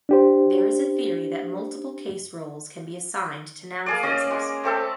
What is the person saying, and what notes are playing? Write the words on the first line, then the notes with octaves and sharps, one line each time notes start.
There is a theory that multiple case roles can be assigned to noun phrases.
D4 G4 C5
A#3 G#4 D5
C#4 D5 D#5
G#3
A3 C4 A4